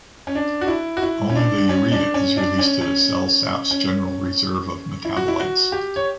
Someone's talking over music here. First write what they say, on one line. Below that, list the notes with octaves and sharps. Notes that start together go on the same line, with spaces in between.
Only the urea is released to the cell sap’s general reserve of metabolites.
C#4
D4
F#4
E4
F#4
E4
C#4
D4
C#4
D4
C#4
D4
C#4
C#4
C#4
E4
F#4
E4
F#4
G4
C#5